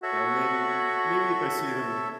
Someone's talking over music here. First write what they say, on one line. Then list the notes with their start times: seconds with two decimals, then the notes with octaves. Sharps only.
you know, maybe maybe if I see them
0.03 F#4 A4 C#5 E5